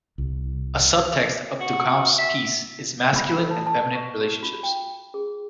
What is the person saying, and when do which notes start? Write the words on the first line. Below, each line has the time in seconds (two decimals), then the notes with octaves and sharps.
A subtext of Duchamp's piece is masculine and feminine relationships.
0.18 C2
1.60 F#4
2.18 E5
3.16 B5
3.38 A4
3.51 A5
3.66 A5
3.93 C#6
4.21 F#4
4.43 F4
4.63 G5
5.14 G#4